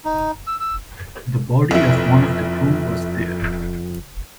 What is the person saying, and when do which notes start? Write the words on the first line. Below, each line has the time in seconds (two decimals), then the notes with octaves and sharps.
The body of one of the crew was there.
0.05 D#4
0.47 E6
0.60 E6
1.71 G1 F2 E4